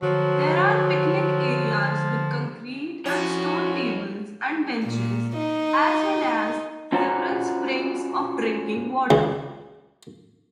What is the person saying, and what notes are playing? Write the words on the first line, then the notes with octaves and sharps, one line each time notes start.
There are picnic areas with concrete and stone tables and benches as well as several springs of drinking water.
D3 F3 F#3
F2 F3 C#4 E4 F#4
A#2
D#4
C#4 F4 F#4 C5 F#5 A#5
C#2